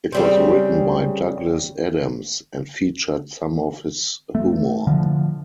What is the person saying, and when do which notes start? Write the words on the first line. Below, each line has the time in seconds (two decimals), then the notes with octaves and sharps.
It was written by Douglas Adams, and featured some of his humour.
0.12 C#3 G3 C4
4.35 A3
4.87 D3 F3